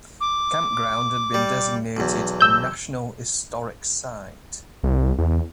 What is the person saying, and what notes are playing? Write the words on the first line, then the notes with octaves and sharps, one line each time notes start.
The campground has been designated a National Historic Site.
D6
G3
B1 E2
E6 G6
C2
E2